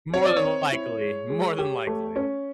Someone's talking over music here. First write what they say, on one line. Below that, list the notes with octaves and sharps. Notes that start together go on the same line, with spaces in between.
More than likely. More than likely.
C4 C#5
D5
C#5
C4
E4
G#3
G#3
G4
A3
C#4